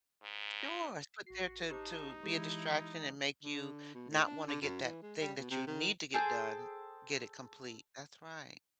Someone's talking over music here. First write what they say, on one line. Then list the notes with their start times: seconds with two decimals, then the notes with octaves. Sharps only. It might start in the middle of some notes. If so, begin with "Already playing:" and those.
Sure, it's put there to to be a distraction and make you not wanna get that thing that you need to get done, get it complete. That's right.
0.23 G#2
1.27 A1 F#4 C7
1.71 D#4 G4 C5 A5 D6
2.23 E3 G#3 E4 G4 A4
3.43 D3
3.94 B2
4.10 A2
4.26 D4
4.48 D3
4.62 F#2
4.83 E3
5.02 G#3
5.21 G3
5.38 B2
5.51 C3
5.67 D#3
6.14 G#4 A4 C5 G5